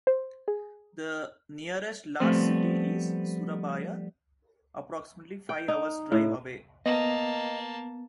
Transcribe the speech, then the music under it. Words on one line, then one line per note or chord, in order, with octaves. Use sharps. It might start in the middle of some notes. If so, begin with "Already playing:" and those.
The nearest large city is Surabaya, approximately five hours' drive away.
C5
G#4
F3 G3 A3 B3 C4 C5
G5
D#4
A2
A#3 B3 D#5 A5